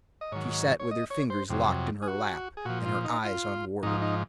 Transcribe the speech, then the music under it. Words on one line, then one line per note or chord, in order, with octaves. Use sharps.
She sat with her fingers locked in her lap, and her eyes on Wardrop.
D#5
G#2 D#3 F#3 C#5
C#5
D#5
C#5
C5
F2 C3 F#3
G#4
F#4
G#4
A#2 F3 F#4
F4
D#4
F4
G#2 F3 D#4
D#4